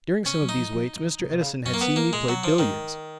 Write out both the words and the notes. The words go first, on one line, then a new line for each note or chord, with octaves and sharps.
During some of these waits Mr. Edison had seen me play billiards.
C#3 C#4
F#3
D#4
F3
F3
D#3
C#3
B2
C#3
F#2 C#4
A#3
B3
A#3
A#2 G#3
F#3
F3
G#2 D#3